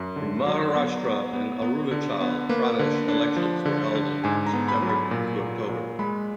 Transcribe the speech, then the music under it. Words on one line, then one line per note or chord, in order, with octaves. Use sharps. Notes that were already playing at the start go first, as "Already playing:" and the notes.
In Maharashtra and Arunachal Pradesh elections were held September-October.
Already playing: F#2
D3
F#3
B3
B3
B3
B3
D3
B3
A#3 B4
D3
D4
F3
D3
D3
G#2 G#5
A#5
B3
B5
F#3
B5
A#2
A#2
A#2
G#3 B5